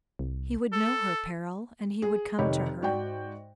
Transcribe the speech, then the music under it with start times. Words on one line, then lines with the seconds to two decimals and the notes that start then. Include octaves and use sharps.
He would know her peril and he would come to her.
0.19 C2
0.73 A4
2.02 G#4
2.39 F1 D#3 D#4 G4 C#5 B5
2.82 G#2 F#4 D5 G5